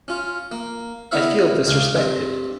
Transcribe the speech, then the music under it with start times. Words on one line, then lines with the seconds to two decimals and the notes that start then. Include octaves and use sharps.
I feel disrespected.
0.08 C#4 F4
0.52 A#3
1.11 B3 E4 C#5 E5 F5
1.67 C#2 C#3 F5
1.95 G2 C4 D4